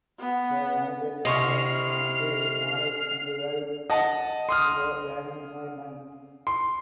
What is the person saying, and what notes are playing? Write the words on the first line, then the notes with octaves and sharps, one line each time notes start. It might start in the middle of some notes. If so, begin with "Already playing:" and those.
A major component in acquiring knowledge and valuable skills in the learning environment.
B3
C3 E4 D#5 C6 C#6 F6 C7 F7
D#5 F#5 A5
C6 D#6 F6
C6